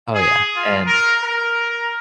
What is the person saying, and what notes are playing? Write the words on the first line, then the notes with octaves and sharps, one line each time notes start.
Oh yeah, and
G#4
F4
A#4
A#4